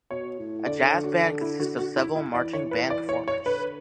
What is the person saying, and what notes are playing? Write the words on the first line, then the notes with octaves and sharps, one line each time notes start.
A jazz band consists of several marching band performers.
B2 C#5
A2
D3 D5
C#5
F#4
D4
E4
F#4
F#4
E4
E4
E3 D5
C#5
B4
D5
C#5
C#5
D3 B4